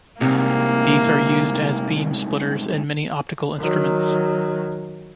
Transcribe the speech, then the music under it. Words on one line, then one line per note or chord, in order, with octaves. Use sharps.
These are used as beam splitters in many optical instruments.
C2 G#2 C3 A#3
D#3 F#3